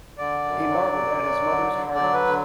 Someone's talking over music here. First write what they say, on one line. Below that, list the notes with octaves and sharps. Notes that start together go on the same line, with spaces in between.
He marvelled at his mother’s hardness.
D3 D5
F#2
F#3
F#2
F#3
D3
D3
D5
F#3
B4
D3